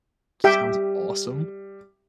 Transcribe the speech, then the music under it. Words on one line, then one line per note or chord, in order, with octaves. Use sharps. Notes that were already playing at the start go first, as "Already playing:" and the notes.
Sounds awesome.
G3 G4 E5 G5